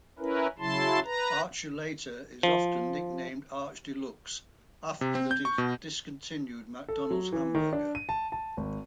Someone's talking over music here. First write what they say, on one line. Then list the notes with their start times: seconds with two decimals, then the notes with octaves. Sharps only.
Archuleta is often nicknamed Arch Deluxe, after the discontinued McDonald's hamburger.
0.19 C#4 E4 A#4 B4
0.59 C#3 F#3 E4 A5 C6
1.04 B4 A#5
2.43 F3
5.01 C3
5.15 C4
5.31 G6
5.45 C#6
5.58 B2
6.89 A4
7.11 F#3
7.32 E3
7.55 D#3
7.73 D4
7.95 D#7
8.09 A5
8.32 A5
8.57 G#1